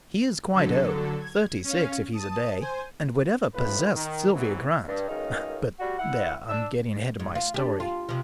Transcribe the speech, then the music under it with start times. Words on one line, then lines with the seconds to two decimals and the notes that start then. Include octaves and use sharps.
He is quite old--thirty-six if he's a day, and whatever possessed Sylvia Grant--but there, I'm getting ahead of my story.
0.54 D3 F#3 A4
1.20 G#6
1.64 C#4 F5
2.13 A5 D#6
2.61 C5 G#5
3.54 A1 F2 A2 F3 B4
3.94 D#3
4.33 C2 G#2 C3 E3 F#3 B3
4.88 G2
5.09 C#2 F#2 D#3 G#3 D#4 F5
5.80 G3 F#4
5.98 E4 F#5
6.49 D4 E6
7.20 G#2
7.35 F4
7.54 D4 G4
7.80 F4
8.09 C3 F3